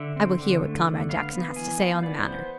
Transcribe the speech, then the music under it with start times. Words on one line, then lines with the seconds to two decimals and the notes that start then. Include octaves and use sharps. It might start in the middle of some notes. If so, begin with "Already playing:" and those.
I will hear what Comrade Jackson has to say on the matter.
Already playing: D3 E5
0.16 C4
0.40 D3
0.63 A3
0.86 D3
1.09 B3 F5
1.33 B3
1.56 E3 G#5
1.80 E3 F5
2.03 B3 D5
2.26 B3 C5